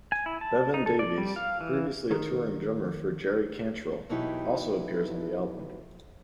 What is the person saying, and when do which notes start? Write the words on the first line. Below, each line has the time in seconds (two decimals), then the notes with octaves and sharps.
Bevan Davies, previously a touring drummer for Jerry Cantrell, also appears on the album.
0.12 G#5
0.26 E4
0.41 A5
0.74 D#4
0.86 A4
0.99 D5
1.18 G3
1.36 F5
1.61 E3
2.11 D#3
4.09 B2 E3 F#3 D#4 E4 G4